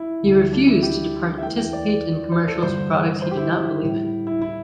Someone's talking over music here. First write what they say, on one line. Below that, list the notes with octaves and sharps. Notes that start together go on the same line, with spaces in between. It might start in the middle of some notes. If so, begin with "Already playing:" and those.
He refused to participate in commercials for products he did not believe in.
Already playing: E4
D2 D3 G3
D4
E4
G4
E5
E2 E3 A3 G5
G5
D5
C5
A4
G2 D3 G3 C5
C5
G4
E4
E4
A2 G3
E4
E4